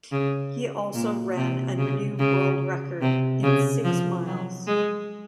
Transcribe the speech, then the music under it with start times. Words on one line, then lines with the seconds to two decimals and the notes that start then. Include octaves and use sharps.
He also ran a new world record in six miles.
0.12 C#3
0.94 A#2
1.36 C3
1.78 C#3
2.19 C#3
3.02 C3
3.43 C#3
3.84 F3
4.26 F#3
4.67 G#3